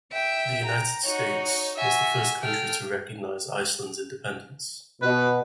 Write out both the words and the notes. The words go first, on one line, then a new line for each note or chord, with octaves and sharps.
The United States was the first country to recognize Iceland’s independence.
E5 G5
A#5
D#4 F#4 C#5
F#4 E5 G#5
A4 G5 F6
B2 B4